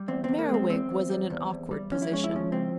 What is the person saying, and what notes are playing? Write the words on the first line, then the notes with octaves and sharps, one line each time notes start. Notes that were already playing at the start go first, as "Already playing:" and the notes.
Merriwig was in an awkward position.
Already playing: G3
E2 C4
E2 C4
A#3
G#3
C4
E2 C4
E2
G3
E2
E2
G3
F2 C#4
E4
G#3 C#4
E4
F3 C#4
C#2 C4